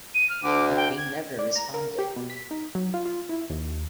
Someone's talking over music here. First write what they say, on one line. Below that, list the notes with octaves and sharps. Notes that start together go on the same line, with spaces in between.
But they never responded.
D#7
F6
D2 D6
G5
G#6
D5
A#5
A#4
G4
B2
B6
D#4
F#3
F4
F4
E4
D#2